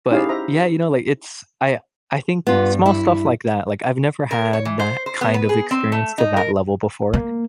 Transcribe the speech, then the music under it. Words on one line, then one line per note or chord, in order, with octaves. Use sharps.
But, yeah, you know, like, it's I I think small stuff like that, like, I've never had that kind of experience to that level before.
C#4 D#4 E4 G4 G#4 F5
C5 E5 A#5
G2 B3 F4
E4
A#4
C#5
E3
C5
C5
B3
B4
G#4
C4
A3
D#4
A#4
A#3